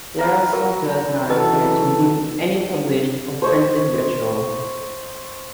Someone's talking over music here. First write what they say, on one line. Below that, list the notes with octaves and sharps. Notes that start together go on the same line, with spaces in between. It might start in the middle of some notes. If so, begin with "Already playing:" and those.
There also does not appear to be any published or printed ritual.
B4 F5 A#5
F#3 A#4
E3 F#3 A4 B4 D#5
C5 C#5 D#5